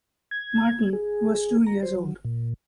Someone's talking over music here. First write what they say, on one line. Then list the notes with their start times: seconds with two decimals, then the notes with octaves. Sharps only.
Martin, who was two years old.
0.31 G#6
0.93 G#4
1.67 A#5
1.83 C5
1.96 F#3
2.25 A#2